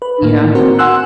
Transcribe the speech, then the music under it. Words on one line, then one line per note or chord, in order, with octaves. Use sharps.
You know?
B4
A2 A#3
C4 F#4 A#4 C5
F#5 G#5 C6 E6 F#6